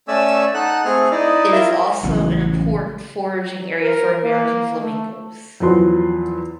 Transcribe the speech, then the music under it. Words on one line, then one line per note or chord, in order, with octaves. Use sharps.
It is also an important foraging area for American flamingos.
A3 C#4 D5 E5 G#5 E6
D#4 A4 F#5 F#6
A3 C4 G#4 F6
D#4 E4 D5 D#5
E4 F4 A#4 E5
A1 C#3 E3 F#3
F#3
A#4
A#3
A3
E2 F3 F#3 B4 C6